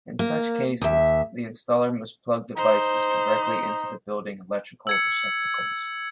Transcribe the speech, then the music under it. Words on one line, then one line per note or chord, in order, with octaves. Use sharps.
In such cases, the installer must plug devices directly into building electrical receptacles.
A#3
D#2 E5
D#4 C5
E6 G#6 C#7